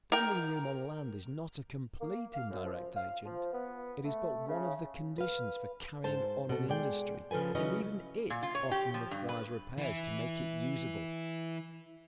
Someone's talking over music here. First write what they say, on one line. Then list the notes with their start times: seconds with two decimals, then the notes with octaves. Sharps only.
Standing-room on land is not a complete indirect agent; it is but one of the conditions for carrying on an industry, and even it often requires repairs to make it usable.
0.12 A#4 G5
2.01 A#3
2.34 F5
2.50 F#2
2.64 F3
2.96 F5
3.25 F3
3.53 B3
4.04 A3
4.47 C#3
5.18 B4 F5
6.04 G#2 C5 A5
6.49 B2 A4
6.68 G#3 G#4 D5 G5
7.31 C#3 F3 A4 B4 G#5
7.55 C#3 F#3 C#4 E4 B4 D#5
8.30 A#2
8.43 F4
8.55 C#5
8.71 G4
8.94 F3
9.11 G2
9.29 B4
9.77 E3 E4